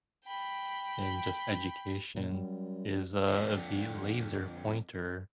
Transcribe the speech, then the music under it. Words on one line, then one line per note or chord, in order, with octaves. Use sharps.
in just, education is, uh, the laser pointer.
G5 B5
F#2 A#2
F#3 G3
F2 D3